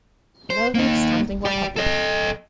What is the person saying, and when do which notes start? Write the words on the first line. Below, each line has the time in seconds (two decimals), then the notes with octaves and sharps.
No league standing were published.
0.50 C5
0.75 A#3 D#4
1.45 G4 D5
1.76 A4 D#5